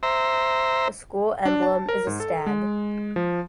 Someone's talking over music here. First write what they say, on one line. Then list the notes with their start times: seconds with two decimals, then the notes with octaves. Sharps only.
The School emblem is a stag.
0.03 C5 E5 A#5
1.45 D4
1.63 A5
1.89 A#4
2.07 G#2
2.20 A4
2.46 G#3
3.16 F3